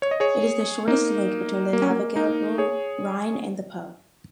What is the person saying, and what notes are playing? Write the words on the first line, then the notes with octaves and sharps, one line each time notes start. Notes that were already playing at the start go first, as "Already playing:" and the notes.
It is the shortest link between the navigable Rhine and the Po.
C#5
D#5
G#4 C#5
A#3 D#4
A#3
C#4
A#3
A#3 D#4
G#4 C#5